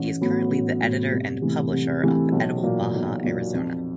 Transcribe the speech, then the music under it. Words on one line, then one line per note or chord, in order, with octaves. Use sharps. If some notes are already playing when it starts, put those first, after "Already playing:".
He is currently the editor and publisher of "Edible Baja Arizona".
Already playing: A1
A2 F#3 B3
A1
A2 F#3 B3
C2
C3 E3 A3
C2
C3 E3 A3
B1
A#2 F#3 A#3
B1
A#2 F#3 A#3
F2